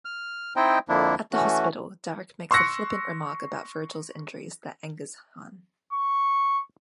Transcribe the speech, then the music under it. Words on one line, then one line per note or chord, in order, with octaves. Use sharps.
At the hospital, Daric makes a flippant remark about Virgil's injuries that angers Han.
F6
C4 D#4 E4 C5 D#5 G5
F2 D3 F3 A#3 D4 E4
E3 A3 C#4 F#4
C6 C#6 E6 F#6 A#6 C#7
C#6